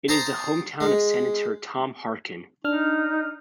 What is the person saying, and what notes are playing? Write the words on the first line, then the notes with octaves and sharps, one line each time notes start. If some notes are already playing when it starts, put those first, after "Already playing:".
It is the hometown of Senator Tom Harkin.
C5 A5 A#5 C6 D#6
G#3
D4 D#4 F6